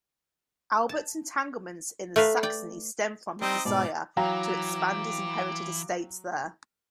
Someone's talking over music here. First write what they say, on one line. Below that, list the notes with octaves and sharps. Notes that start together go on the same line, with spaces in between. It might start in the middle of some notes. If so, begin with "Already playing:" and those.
Albert's entanglements in Saxony stemmed from his desire to expand his inherited estates there.
A5
A3 A#4 B4 F5
D5 G5
G3 C4 D#4 D#5
G#2 B2 D5
E3 F#3 F5 G5 A#5 D6